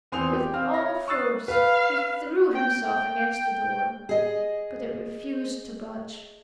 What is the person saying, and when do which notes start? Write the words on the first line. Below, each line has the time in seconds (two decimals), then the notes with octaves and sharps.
With all force he threw himself against the door, but it refused to budge.
0.12 E2 C4 G#5 C6 D#6 F7
0.33 G4
0.53 C4 F5 F6
0.74 C#5 A#6
1.07 C#6 D#6 E6 F#6 A6 C7
1.48 B4 F5
2.55 G5
4.09 G#4 D#5